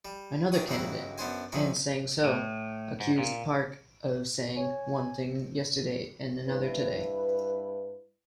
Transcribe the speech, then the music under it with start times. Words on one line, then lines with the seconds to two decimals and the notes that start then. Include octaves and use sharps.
Another candidate, Ahn Sang-soo, accused Park of "saying one thing yesterday and another today".
0.05 G3
0.52 E2 D4 G4 A#5 C#6 D#6
0.68 C#2 G2 D#3 F#3 E4 A#5
1.18 F#2 B3 D4 C5 G#5
1.52 C2 F3 C#4 D#4
2.24 A2
3.00 G#2
3.18 A#2
4.57 C#5 G#5
6.47 G2 E4 B4